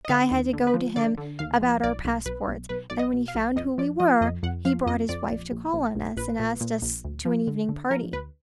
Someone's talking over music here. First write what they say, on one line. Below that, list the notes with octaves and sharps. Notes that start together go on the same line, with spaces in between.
Guy had to go to him about our passports: and when he found who we were, he brought his wife to call on us, and asked us to an evening party.'
D#5
D3 F5
D#2
D3
B4
F3
D3 D5
D3
D#2 F5
F3
B1 D5
B1
B1 B4
B1
B1 B4
B1 D5
D#5
B2
F5
B1
F2 D#5
F3 D5
F3 D#5
F2 D#5
F2 F#5
F3 F5
F2 D#5
F2 D5
A#1
A#1
A#1
A#1
A#1 B4
A#2
A#2
A#1
D2
F3
D3
D3
F3 A#4
D2 B4